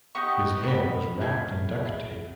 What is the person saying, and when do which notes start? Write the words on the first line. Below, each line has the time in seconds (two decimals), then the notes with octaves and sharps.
His head was wrapped in duct tape.
0.15 B3 D#4 G4 C#6
0.63 C#6
0.68 B5
1.21 C#4 E4 G#4